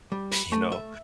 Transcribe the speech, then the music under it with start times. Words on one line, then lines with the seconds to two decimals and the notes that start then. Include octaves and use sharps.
you know?
0.12 G3
0.31 B4
0.52 A3
0.72 E5